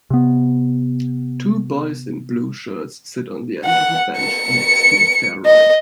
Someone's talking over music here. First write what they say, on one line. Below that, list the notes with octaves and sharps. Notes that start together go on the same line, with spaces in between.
Two boys in blue shirts sit on the end of a bench next to a fair ride.
C3 B3
F#5
C#7
D#5